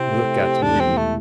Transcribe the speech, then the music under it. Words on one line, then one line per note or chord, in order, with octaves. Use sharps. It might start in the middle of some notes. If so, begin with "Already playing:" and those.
Look at me.
Already playing: C3 C4 E4
A3
G4
E1 D4
C4
E3
A3